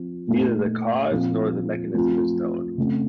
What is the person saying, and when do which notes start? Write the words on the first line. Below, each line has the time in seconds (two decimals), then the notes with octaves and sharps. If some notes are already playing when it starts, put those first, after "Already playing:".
Neither the cause nor the mechanism is known.
Already playing: F3 C4
0.28 A#2 A3 D#4
1.11 A#2 F3 C4
1.94 F3 A3 C4 F4
2.78 C#3 A3 C4